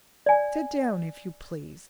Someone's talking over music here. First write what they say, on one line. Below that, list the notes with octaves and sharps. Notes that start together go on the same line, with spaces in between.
Sit down, if you please.
D5 G#5